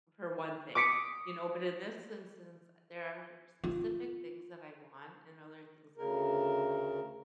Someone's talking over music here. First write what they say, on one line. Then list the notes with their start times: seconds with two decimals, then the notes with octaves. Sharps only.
for one thing, you know, but in this instance, uh, there are specific things that I want, and other things that I don't really
0.75 D6 D#6 B6 C#7 D7
3.64 F4
5.98 D2 C#3 A#4